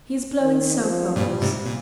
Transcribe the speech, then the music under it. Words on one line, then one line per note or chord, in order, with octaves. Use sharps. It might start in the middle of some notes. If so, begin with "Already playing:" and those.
He is blowing soap-bubbles.
D#3
F3
G2 A#2 G3
G#2 C3
A#2